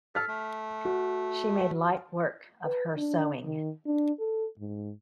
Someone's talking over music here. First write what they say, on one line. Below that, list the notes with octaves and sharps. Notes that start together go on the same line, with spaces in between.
She made light work of her sewing.
A4 F6 B6
A3
F#4
B4
D4
D#3
D4
A4
G#2